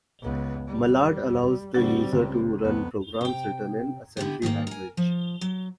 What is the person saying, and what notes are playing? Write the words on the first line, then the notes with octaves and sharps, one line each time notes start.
Mallard allows the user to run programs written in assembly language.
C#2 B3
G3
D3 G3 C4 F#4 A6
C#2
F2 B3
C3 G5
D3 B3 E4 G4
G#2 D#3 G#3 A#3
A#4 G#5
F3
F#3